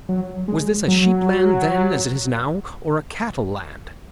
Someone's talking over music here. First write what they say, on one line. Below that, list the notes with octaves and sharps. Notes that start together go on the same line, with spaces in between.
Was this a sheep land then as it is now, or a cattle land?
F#3
G#3
F#3